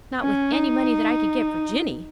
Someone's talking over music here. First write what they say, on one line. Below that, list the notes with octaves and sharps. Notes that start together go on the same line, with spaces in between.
"Not with any money that I could get for Jinny."
C#4
D#4